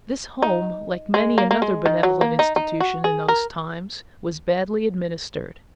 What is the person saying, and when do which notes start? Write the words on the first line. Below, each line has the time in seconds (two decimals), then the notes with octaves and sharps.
This home, like many another benevolent institution in those times, was badly administered.
0.42 D#4
1.14 G#3
1.38 A#3
1.51 A#3
1.62 G#3
1.86 D#3
2.03 F#3
2.21 A#3
2.39 D#4
2.56 D#4
2.80 F#4
3.04 G#4
3.28 A#4